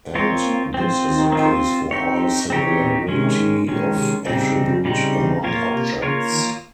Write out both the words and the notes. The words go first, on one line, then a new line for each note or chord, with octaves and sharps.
And this is the case for all similarity of attribute among objects.
G#3 C4 F4 A#4 C#5
A#3
F3 C4 F4 C5
D#3
C4 F4 C5
C4 D#4 G4 C#5
C#3 C4 D#4 G4 C#5
A#2
C3 D#3 G#3 C#4
A#2 D#3 G#3 C#4
C3
A#2 C#3 G3 C4 D#4
C3
A#2 C#3 G3 C4 D#4
C3
A#2 A#3 F4 A#4 C#5
C3
C#3 A#3 F4 A#4 C#5
D#3